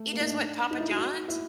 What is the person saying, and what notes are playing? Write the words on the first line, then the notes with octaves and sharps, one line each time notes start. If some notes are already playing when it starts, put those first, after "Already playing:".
He does what Papa John's?
Already playing: A3
A#3
D#4
D4
D#4
E4
F#4
E4